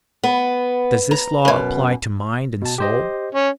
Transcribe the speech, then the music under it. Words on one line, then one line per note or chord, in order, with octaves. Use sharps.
Does this law apply to mind and soul?
B3
A#5
F#2 B2
B2 A5
G4 C5 D#5
C#4